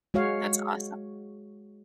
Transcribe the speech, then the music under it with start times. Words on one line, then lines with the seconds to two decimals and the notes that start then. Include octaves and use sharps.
that's awesome.
0.14 G#3 F#4 C#5 F5